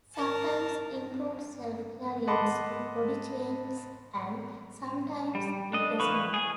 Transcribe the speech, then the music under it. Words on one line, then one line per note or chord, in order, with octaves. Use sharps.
Sometimes improved self-care leads to body changes and sometimes it does not.
A#4 A5
D#5 F#5 A5 B5 C6 D6
G3
D4 D#5
E3 A#3 B4 C#6
G#4 G#5